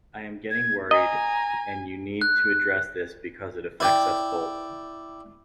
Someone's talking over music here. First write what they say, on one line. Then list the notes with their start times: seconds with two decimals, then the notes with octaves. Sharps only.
I am getting worried, and you need to address this because it affects us both.
0.51 G#6
0.91 D#5 G#5 A#5
2.21 F#6
3.80 E4 D5 G5